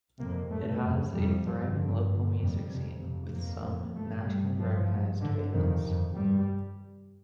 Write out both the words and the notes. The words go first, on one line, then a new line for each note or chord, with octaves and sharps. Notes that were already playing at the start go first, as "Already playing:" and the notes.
It has a thriving local music scene with some nationally recognized bands.
F2 C3 A#3
G2 A3
F2 C3
F2 C3 G3
G2 F3
G2 D3
G2 D3
F2 C3 G3
F2 C3
F2 C3
F2 C3 A#3
F2 C3
G2 A3
G2 G3
G2 F3
G2
G2 D3
F2 C3 D#3
F2 C3
G2 G3